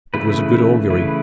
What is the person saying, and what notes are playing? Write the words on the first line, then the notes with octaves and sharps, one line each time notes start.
It was a good augury.
C#3 E3 A3 E4 B4
C#3 E3 A3 E4 B4